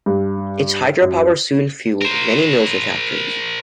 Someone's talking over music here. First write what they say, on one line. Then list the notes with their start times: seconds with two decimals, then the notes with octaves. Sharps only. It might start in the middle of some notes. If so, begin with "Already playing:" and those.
Its hydropower soon fueled many mills and factories.
0.06 G2
1.01 F#2
2.02 A#4 C5